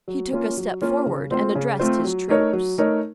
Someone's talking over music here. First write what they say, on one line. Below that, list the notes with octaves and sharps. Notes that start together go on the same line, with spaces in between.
He took a step forward and addressed his troops.
F#3
A#3 C#4 F4
F#3
A#3 C#4 F4
C#3
A3 C4 F4 C5
C#3
A3 C4 F4 C5
F#3
A3 D#4 A#4 C#5
F#3
A3 D#4 A#4 C#5